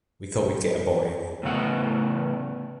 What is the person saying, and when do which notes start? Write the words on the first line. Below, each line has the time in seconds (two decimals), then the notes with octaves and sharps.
We thought we’d get a boy.
1.43 A2 C#3 B3 F#5